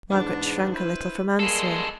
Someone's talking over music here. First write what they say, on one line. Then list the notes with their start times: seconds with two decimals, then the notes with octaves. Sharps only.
Margaret shrank a little from answering.
0.10 E2 G#2 B3 D4
0.74 E4 B4 C5
1.39 G3 G#3 A#3 G#4 A4 C6